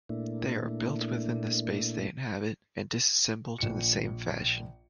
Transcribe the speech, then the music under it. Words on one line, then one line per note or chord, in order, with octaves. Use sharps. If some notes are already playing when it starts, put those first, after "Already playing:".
They are built within the space they inhabit and disassembled in the same fashion.
A#2 A3 A#3 D4 E4
A#1 C#7